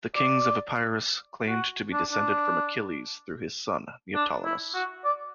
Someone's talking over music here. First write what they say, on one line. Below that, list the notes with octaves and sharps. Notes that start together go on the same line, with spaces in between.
The kings of Epirus claimed to be descended from Achilles through his son, Neoptolemus.
D5
F#4
D4
D4
D4
E4
F#4
D5